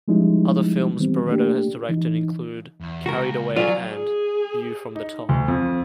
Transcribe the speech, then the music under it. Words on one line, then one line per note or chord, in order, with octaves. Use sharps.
Other films Barreto has directed films include "Carried Away" and "View from the Top".
F3 G3 G#3 C#4 D#4 E4
D#3 E3 G3 B3 C4
A3 A#3 D4 G4
E3 D#4
E2
C#2 F#4 A#4
F#3 F4 D5 F5 G#5
G#4
D#4
D2
F2